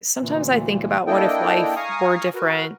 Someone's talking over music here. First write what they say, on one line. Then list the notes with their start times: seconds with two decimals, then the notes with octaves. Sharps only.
Sometimes I think about what if life were different,
0.20 D2 A#2 E3
1.07 A#3 D4 E4 A4 D#5 G5
1.76 F5 G#5 A#5 C#6 D#6
2.34 F#4 A#4 B4